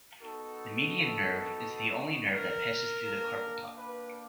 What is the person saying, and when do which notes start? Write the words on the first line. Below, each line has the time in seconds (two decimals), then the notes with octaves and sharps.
The median nerve is the only nerve that passes through the carpal tunnel.
0.21 B3 D#4 F#4 A4
2.34 A#4
3.05 A#3 D4 G4
3.76 B4